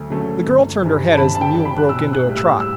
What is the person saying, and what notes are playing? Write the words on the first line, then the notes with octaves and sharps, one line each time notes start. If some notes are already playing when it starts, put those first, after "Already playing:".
The girl turned her head as the mule broke into a trot.
Already playing: D2 F#3 A3
D3 F#3 A3 C#4
G1
G2 E3
A5
G1 B5
A5
G5
G2 E3
B5
F#6
B1 E6
F#6
A2 G3
E6
E6